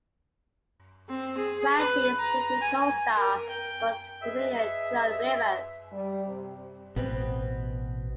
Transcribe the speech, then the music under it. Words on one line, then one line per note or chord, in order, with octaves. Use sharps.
Franchi's frequent co-star was comedian Joan Rivers.
C4
G#4
B4
A#5
G#5
A#4
G5
G#4 B4 D#5 E5
G3
C3
A1 B2 B3 C4